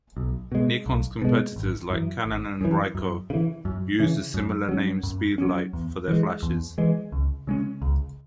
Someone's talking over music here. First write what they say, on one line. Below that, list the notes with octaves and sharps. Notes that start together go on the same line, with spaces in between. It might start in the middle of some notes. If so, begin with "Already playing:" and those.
Nikon's competitors like Canon and Ricoh use the similar name Speedlite for their flashes.
B1
B2 G#3
B1
B2 G#3
G#1
F#2 E3
G#1
F#2 E3
F#2
C#3
E3
F#2
C#3 E3
F#2
F#3 C#4
F#2
F#3 C#4
E2
E3 G#3
E2
E3 G#3
C#2
C#3 G#3 C#4
C#2